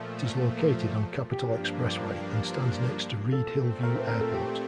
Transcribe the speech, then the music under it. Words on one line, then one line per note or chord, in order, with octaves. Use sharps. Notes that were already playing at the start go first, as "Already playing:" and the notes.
It is located on Capitol Expressway and stands next to Reid-Hillview Airport.
Already playing: A#2 F3 A3
G2 F3 A#3 D4 G4
A#2 A3 C4 A4
A#4
C5
A#4
A4
G4